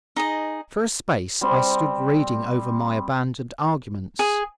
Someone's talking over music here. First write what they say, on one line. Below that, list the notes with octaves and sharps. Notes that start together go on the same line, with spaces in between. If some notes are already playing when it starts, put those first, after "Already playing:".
For a space I stood reading over my abandoned arguments.
D#4 G#4 D#5
G3 C4 C5
G#4